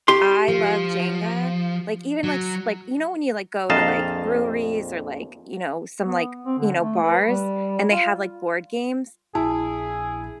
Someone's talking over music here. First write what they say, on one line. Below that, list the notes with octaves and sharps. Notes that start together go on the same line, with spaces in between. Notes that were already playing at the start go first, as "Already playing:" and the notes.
I love Jenga. Like, even, like, s like, you know, when you, like, go to, like, breweries, or, like, you know, some, like, you know, bars, and they have, like, board games?
G4 C6
F3
F#3
A#1 F2 D#5 F5 A5 A#5
B3
C4
D3
A3
B4
G3
F4
A#1 E4 G#4 A5